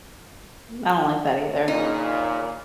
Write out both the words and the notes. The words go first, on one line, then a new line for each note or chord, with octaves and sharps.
I don't like that either.
A#2 C#3 D#4